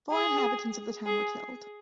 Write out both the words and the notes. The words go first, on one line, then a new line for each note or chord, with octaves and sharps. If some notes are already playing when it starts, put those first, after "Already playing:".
Four inhabitants of the town were killed.
G#4
G#4